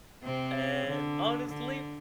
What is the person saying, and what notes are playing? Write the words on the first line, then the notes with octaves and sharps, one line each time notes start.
And honestly,
C3 C4
D3
D3